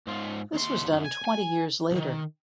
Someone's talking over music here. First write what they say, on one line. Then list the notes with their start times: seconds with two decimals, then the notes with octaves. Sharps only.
This was done twenty years later.
0.07 G#2 F4
0.53 D#2 C6
0.93 F#2
1.06 G#5
1.25 G#5
1.91 C2 D#3